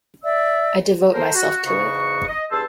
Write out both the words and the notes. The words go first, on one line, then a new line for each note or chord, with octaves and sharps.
I devote myself to it.
D5 E5 E6
A4 A#4 C5
F#4
E2 G#2 C#3 F#4 C#6
D#5
E2 G2 G#4 C5 A5 E6